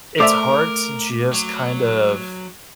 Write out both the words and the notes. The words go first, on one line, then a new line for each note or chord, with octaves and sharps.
it's hard to just kind of
A3 A#4 C5 D5 E5 D6
F#3